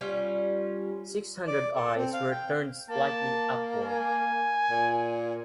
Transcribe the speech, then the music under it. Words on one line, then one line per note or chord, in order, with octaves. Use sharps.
Six hundred eyes were turned slightly upward.
G3 C#4 F4
D5
A4
C4
F5
G5
A#3 A5
G#5
A#2